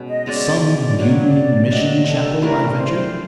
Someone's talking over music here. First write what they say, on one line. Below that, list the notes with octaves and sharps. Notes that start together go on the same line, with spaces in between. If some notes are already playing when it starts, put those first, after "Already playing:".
"Some Union Mission chapel?" I ventured.
Already playing: B2 G#3 C#4
D#5
B2 G#3 C#4 D5
D5
F#3 A#3 D4 G4 C#5
D5
F#3 A#3 D4 G4 D#5
A4
E3 A3 D4 G4 A#4
C5